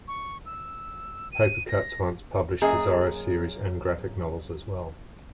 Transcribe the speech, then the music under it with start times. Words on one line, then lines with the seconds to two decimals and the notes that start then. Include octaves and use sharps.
Papercutz once published a Zorro series and graphic novels as well.
0.08 C#6
0.46 E6
1.32 D#7
1.68 A#6
2.61 F#2 A#3 G#4 D#5